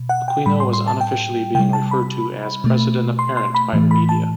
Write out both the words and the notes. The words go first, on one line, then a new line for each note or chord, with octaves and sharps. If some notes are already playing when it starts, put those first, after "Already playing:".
Aquino was unofficially being referred to as "president-apparent" by the media.
Already playing: B2
F#5
G5
A2 G3 B5
C6
C6
A5
G5
C3 G3 G5
A5
B5
B2 A3
C6
C6
B5
A2 E3 A3
B5
A5